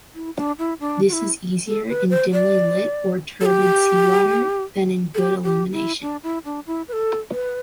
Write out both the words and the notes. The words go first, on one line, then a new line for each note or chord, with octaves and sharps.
This is easier in dimly-lit or turbid seawater than in good illumination.
E4
D4
E4
D4
F#4
E4
A4
B4
C5
D5
A4
G4
A4
G4
G4
E4
D4
E4
D4
E4
B4
A4
B4